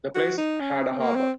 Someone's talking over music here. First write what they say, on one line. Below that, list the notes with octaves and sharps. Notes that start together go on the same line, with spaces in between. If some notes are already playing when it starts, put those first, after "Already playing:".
The place had a harbour.
F#4
D#4
C#4
C4
A#3
C4